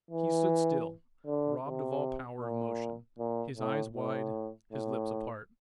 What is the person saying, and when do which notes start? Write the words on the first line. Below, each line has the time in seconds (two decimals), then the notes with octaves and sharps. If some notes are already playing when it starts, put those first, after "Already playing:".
He stood still, robbed of all power of motion, his eyes wide, his lips apart.
0.11 E3
1.27 D3
1.65 C3
2.42 A#2
3.19 A#2
3.57 A2
3.96 A2
4.73 A2